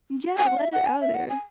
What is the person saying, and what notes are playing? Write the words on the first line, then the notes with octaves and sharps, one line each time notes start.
Yeah, let it out, er
G#5
F#5
E5
F#5
G#5
E5
F#5
G#5